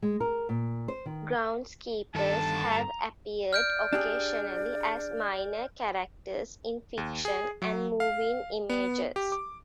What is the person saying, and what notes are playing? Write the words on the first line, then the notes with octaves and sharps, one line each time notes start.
Groundskeepers have appeared occasionally as minor characters in fiction and moving images.
G#3
A#4
A#2
C5
D#3
G2 D#3 D4 A4 A5
A#5
D5 F6 G6 D7
D4 G4 G#4
D#2
G#4
F#3
F5
B3
G4
D6